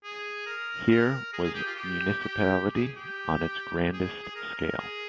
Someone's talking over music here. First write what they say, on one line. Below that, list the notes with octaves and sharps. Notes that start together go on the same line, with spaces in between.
Here was municipality on its grandest scale.
G#4
A#4
A#4
G#4
G#4
G4
F4
G4
G4
G#4
G4
G#4
G#4
A#4
A#4
G#4